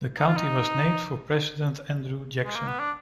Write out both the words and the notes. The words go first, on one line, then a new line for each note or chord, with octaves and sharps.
The county was named for President Andrew Jackson.
D#4
F4
D#4
G#3
A#3
B3
D4